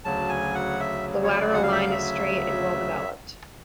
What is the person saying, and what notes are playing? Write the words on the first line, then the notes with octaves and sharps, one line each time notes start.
The lateral line is straight and well-developed.
D2 C#3 F#3 A5
G#5
F#5
E5
C#5
D5
F#5
F5
E5
F5
E5